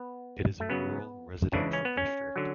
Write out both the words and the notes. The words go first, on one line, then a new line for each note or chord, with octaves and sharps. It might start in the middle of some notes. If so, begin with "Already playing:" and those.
It is a rural, residential district.
Already playing: B3
A3
F#2 C#3 F#3 B3
C#2 C#3 E3 D4
C#4
B3
C#4
D3 F#3